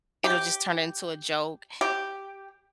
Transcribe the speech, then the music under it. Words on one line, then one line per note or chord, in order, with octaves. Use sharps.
it'll just turn into a joke.
G4
G4